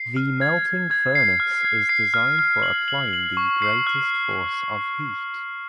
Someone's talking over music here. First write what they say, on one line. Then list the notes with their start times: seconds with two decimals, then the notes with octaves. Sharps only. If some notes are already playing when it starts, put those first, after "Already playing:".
The melting furnace is designed for applying the greatest force of heat.
Already playing: C7
0.16 F6
0.41 G#6
0.66 G#6
0.91 G#6
1.15 C7
1.40 F6
1.65 G#6
1.89 C7
2.14 F6
2.39 F6
2.63 F#7
2.88 F#7
3.13 F#7
3.37 C#6
3.62 C7
3.87 F6